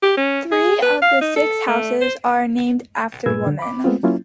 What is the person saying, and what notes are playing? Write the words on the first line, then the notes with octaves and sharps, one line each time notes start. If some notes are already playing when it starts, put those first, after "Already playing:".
Three of the six houses are named after women.
G4
C#4
G#4
B4
F5
D#4
A4
A3
C5
G2 A#2 G#4 B4 E6 G#6
D3
B5 D6
G#3 A3 B3 C4 F4
F#3 A#3 C#4 E4 F4